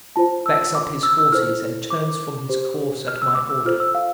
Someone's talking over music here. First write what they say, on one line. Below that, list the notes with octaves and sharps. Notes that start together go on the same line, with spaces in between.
Backs up his horses and turns from his course at my order!
F4 C5 A5
E6
D6
E6
E6
E4 A4 C5 F6
D6
G4 C5
F6
E6
D6
E6
F4 A4 C5 F6
E6
F5